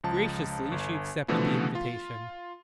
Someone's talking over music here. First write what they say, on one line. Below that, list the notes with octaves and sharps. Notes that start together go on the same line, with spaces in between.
Graciously she accepted the invitation.
C#2 F3 A5
G1
B2 D3 E3 F3 A3 B3
F4